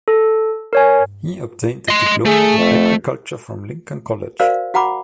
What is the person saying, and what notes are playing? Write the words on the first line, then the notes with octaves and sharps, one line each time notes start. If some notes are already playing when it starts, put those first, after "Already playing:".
He obtained a diploma in agriculture from Lincoln College.
A4
A#4 C#5 G#5
D#5 C6
A3 G#4
F2
F#4 A#4 C5 D5 F5
F#4 F#5 A#5 B5 D6